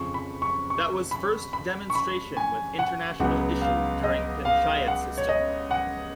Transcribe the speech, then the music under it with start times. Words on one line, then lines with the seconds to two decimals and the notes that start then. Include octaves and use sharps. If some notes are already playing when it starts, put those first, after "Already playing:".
That was first demonstration with international issue during Panchayat system.
Already playing: F2 C#3 F3 C#6
0.14 B5
0.42 C#6
0.70 C#6
1.11 B5
1.53 B5
1.90 C#6
1.95 B5
2.37 G#5
2.79 F#5
3.20 C#2 C#3 F#3 B3 F#5
3.61 F5
4.03 D#5
4.45 F5
4.88 F#5
5.18 C#5
5.29 D#5
5.71 F#5